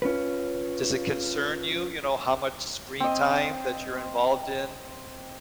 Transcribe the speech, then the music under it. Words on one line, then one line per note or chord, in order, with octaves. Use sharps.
does it concern you, you know, how much screen time that you're involved in?
C#4 F4 B4
C4 D#5